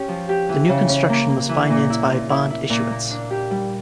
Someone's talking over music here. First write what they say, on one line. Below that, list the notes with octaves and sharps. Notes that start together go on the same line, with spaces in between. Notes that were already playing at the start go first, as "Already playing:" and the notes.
The new construction was financed by a bond issuance.
Already playing: C#4 G4
F3
G4
E3
C#3
C#4
A#3
A#3
E3
A#2
E4
A#2
E4
E4
A#2
A#3
D4
G4
G3